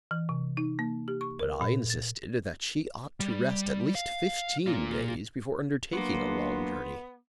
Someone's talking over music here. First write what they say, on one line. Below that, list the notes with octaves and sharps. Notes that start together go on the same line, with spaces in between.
But I insisted that she ought to rest at least fifteen days before undertaking a long journey.
E3
C3
D#4
A#3
G4
C#6
A#4
A#2
A6
G3
F5
A#3 F4
F#3 A#3 B3 D4 C6